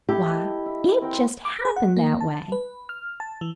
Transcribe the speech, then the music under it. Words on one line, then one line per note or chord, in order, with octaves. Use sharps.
Why, it just happened that way.
E4 G4 A4 D#5
A#4
E4
C4 A#4 G5
D6
G#4
F#5
A#3
A5
B4
F6
A5
E3